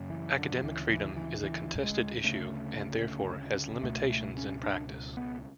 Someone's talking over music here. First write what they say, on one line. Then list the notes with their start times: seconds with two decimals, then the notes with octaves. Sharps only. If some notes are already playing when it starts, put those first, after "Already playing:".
Academic freedom is a contested issue and, therefore, has limitations in practice.
Already playing: F#2 C#3
0.10 E3
0.37 D3
0.56 F#3
0.63 D2 C#3 E3
0.90 E3
1.16 E3
1.44 E3
1.83 G#3
2.24 D2 C#3 A3
3.83 C#2 B2 A3
4.10 A3
4.37 C#4
4.63 D4
5.17 B3